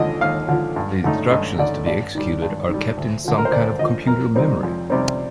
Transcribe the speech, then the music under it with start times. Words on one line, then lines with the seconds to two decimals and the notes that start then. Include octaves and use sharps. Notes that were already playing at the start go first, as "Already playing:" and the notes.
The instructions to be executed are kept in some kind of computer memory.
Already playing: D#2 D3 F3 D#5
0.21 D#2 F5
0.49 D3 F3
0.76 G2
1.04 D3 A3 D#4
1.31 G2 D#5
1.59 D3 A3 D#4 D5
1.86 G2 D5
2.15 D#3 G3
2.42 G2
2.69 D#3
2.74 G3
2.97 D2
3.24 D3 F3
3.38 A#4
3.45 C5
3.52 D2 D5
3.79 D3 F3 D#5
4.07 F2 A#4
4.35 C3 G3 C4 D#4
4.63 F2
4.90 C3 G3 C4 D#4